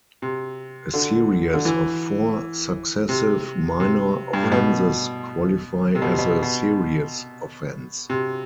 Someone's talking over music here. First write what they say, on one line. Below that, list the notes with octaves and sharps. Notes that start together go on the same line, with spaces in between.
A series of four successive minor offenses qualify as a "serious" offense.
C3
D3
D3
E3
C3
C3
G2
A2
B2
C3
B2
C3
B2
B2
C3